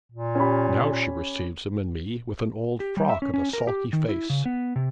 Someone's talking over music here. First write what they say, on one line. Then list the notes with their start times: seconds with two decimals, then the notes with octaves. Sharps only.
Now she receives him and me with an old frock and a sulky face.
0.12 A#2
0.35 C#4 G4 B5
2.80 G4
2.97 G3
3.09 E5
3.22 C#4
3.34 C#4
3.53 A#4
3.67 G4
3.93 D#3
4.09 E4
4.30 C#3
4.46 B3
4.76 C3